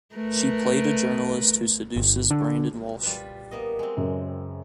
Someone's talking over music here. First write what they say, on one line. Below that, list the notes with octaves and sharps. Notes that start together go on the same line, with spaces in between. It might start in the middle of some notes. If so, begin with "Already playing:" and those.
She played a journalist who seduces Brandon Walsh.
A3 A#4 B4
G1
D3
G3 F4 B4
A#3 B3 D#5
G#3 C4
F#2 C#3